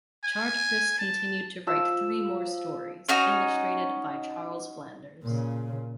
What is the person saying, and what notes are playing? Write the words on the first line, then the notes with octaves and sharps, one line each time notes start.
Charteris continued to write three more stories, illustrated by Charles Flanders.
G#5
A5
F3 E6
C#4 D#4 F#4
A#2 C#3